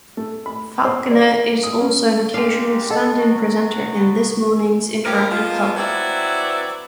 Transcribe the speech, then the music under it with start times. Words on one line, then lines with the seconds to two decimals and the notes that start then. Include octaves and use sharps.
Falconer is also an occasional stand-in presenter in "This Morning's" interactive "hub".
0.17 A3
0.46 B5
0.85 C5
1.11 D5
1.63 D#6
1.81 C#4
2.34 G#3 C4 D4 D#4 G4 A4 F5
2.90 A4 D#5 F#5
3.18 F#3 B3 F#4
5.05 G2 F3 G4 A#4
5.31 F3 G#3 B3 F4
5.76 F#3 C4 E4 B4 D5